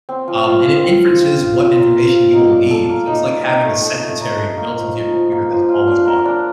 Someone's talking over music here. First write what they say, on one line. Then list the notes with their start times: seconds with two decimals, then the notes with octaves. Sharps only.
um, and it inferences what information you will need, so it's like having a secretary built into your computer that's always on.
0.09 C4
0.28 F3
0.46 F4
0.65 F3
0.84 C4
1.03 F3
1.21 F4
1.40 F5
1.58 C5
1.77 A#3
1.96 F4
2.14 F5
2.33 D#4
2.52 D5
2.71 A4
2.89 A#3
3.07 D#4
3.26 D5
3.45 D#4
3.64 A3
3.82 A4
4.00 A3
4.20 D#4
4.38 A3
4.57 A#3
4.76 F3
4.95 D#4
5.13 F3
5.32 A#3
5.51 F3
5.69 F4
5.87 D4
6.07 A#4
6.25 D4